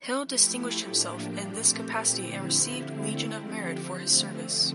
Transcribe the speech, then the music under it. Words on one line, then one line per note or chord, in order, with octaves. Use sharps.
Hill distinguished himself in this capacity and received Legion of Merit for his service.
F3 A3 E4 G4
A2 F3 A#3 D4 G4
A#2 A3 C4 G4
D3 F3 C4 E4 G4
D3 A3 C4 E4
D3 F3 C4 G4
D3 F3 A3 C4